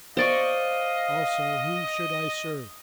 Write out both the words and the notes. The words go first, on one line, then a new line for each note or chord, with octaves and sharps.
Also whom should I serve?
C5 D5 D#5 F5 C#6